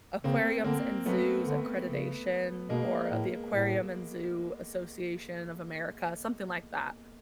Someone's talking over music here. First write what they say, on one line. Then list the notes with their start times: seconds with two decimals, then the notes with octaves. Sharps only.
Aquariums and Zoos Accreditation or the Aquarium and Zoo Association of America, something like that,
0.24 C#3 A#3 C4
0.64 D3 A#3 C4
1.05 F#3 A3 B3
1.47 D3
1.88 C#3
2.69 B2 G#3 A#3
3.11 A2
3.52 A2